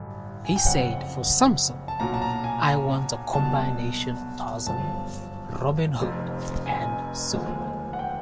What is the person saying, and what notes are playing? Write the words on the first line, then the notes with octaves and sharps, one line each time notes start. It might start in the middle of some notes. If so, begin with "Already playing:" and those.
He said, For Samson, I want a combination Tarzan, Robin Hood, and Superman.
Already playing: A1 G2 D3 F#3
G#5
G5
F#1 F2 C#3 F#5
A5
B1 A#2 F#3 A#5
A5
A#5
G#5
C2 B2 F#3 A5
G1 F#2 D3 F3 A5
F1 F2 C3
G#5
D#2 D3 F3 G#3
F#5
G5